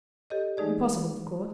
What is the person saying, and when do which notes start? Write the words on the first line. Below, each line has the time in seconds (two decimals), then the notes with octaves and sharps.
Impossible--of course.
0.30 G4 A4 C#5 D#5
0.57 E3 G#3 A3 D#4 G#4 D5